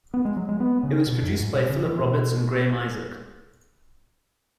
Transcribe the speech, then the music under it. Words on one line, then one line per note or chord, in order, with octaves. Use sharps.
It was produced by Philip Roberts and Graeme Isaac.
B3
G#3
F#3
G#3
B3
C#3
B2
F#2
G#2
B2
C#3
E3
B2